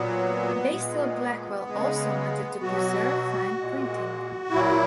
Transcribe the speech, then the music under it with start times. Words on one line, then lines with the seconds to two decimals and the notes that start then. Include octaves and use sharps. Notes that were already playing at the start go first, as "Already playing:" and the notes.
Basil Blackwell also wanted to preserve fine printing.
Already playing: A#2 F#3 B3
0.72 A#2 G#3
1.67 C#3 G#3
2.61 B2 F#3 F#4
3.57 A#2 G#3
4.50 A#2 F#3 E4